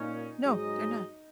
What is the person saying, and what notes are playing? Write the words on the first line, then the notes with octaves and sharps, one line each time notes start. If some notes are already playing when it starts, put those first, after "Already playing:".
No, they're not.
Already playing: A#2 A#3 C#4 D#4
G#2 F#3 D#4 G#4 D#5